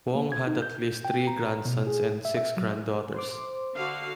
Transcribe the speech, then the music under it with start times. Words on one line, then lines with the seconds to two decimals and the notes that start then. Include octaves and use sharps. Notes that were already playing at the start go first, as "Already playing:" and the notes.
Wong had at least three grandsons and six granddaughters.
0.15 A#3
0.32 G#6
0.47 D#4
0.62 G6
1.05 G5
1.27 A#5
1.65 B2
1.87 G#4
2.25 E5
2.37 E5
2.57 F#3
3.14 C5 C6 D6
3.75 D3 F#4 F5